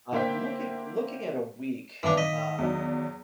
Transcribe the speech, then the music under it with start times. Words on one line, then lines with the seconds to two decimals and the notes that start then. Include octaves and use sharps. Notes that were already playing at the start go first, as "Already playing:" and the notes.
Uh, looking looking at a week, uh,
0.12 D3 A#3 E4 C5 G5 B6
2.03 G1 D#3 E3 D4 F5
2.18 D#5 B6
2.58 E2 F#3 D4